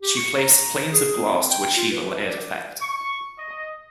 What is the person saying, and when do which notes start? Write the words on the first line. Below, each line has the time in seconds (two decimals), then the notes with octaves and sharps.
She placed planes of glass to achieve a layered effect.
0.02 G4
0.16 C#6
0.38 A#5
0.93 G#4
1.17 C4
1.50 G5
1.76 F4
1.91 B4
2.26 D5
2.81 C#6
3.39 D#5